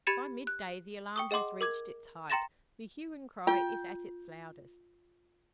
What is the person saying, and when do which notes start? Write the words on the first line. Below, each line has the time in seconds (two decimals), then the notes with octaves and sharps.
By midday the alarm has reached its height--the hue and cry is at its loudest.
0.07 G4 B5 G#6 A6 C#7 E7
0.47 F#6
1.16 G5 C#6 D#6
1.31 G#4 D#5 F#5 C6 D6
1.61 A#4 D6 G#6
2.30 G5 A#5 C6 A6 A#6 E7
3.47 F4 G5